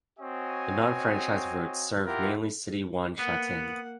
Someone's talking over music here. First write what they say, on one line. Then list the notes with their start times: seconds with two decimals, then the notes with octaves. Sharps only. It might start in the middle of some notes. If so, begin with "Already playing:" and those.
The non-franchised routes serve mainly City One Sha Tin.
0.19 C4 F#4 C#5 D#5 G#5
2.06 E4 F4 G4 A#4 F#5
3.19 A#3 B3 F#5